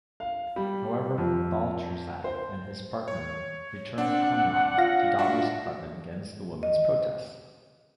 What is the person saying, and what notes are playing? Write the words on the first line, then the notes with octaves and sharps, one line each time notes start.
However, Balcerzak and his partner returned Konerak to Dahmer's apartment, against the women's protests.
F5
G3
F2
C5
C#5
C4 D4 F#5
F4 F5 A#6
D4 F#4 E5
D#5